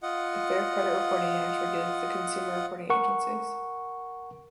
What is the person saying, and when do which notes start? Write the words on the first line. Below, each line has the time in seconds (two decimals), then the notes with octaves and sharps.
The Fair Credit Reporting Act regulates the consumer reporting agencies.
0.03 F4 D#5 F#5
2.90 A#4 F#5 C#6